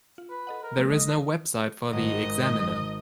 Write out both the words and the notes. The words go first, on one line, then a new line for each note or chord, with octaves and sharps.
There is no website for the "Examiner".
F4
B4
A4 D#5 F#5
A#4
F3 G#3 A#3
D#5
G#1 D#5